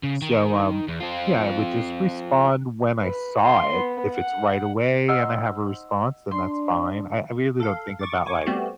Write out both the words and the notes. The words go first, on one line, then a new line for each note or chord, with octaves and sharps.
So, um, yeah, I would just respond when I saw it. If it's right away and I have a response, then that's fine. I I really don't think about like,
C#3
D#3
E2
C4 F4
B4
F5 C6
B3
F#5
D#4 C5 D#5 F#5 E6 F6
D4 C6
A4 F5
C#6 D6 A6
G#5 C#6 D6
G3 A3 B3 C4 F#4 G4